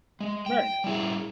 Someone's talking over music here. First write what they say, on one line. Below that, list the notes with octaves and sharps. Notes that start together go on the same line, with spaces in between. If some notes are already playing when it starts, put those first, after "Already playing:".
Very nice.
G#3
G5
G3 E4 G#4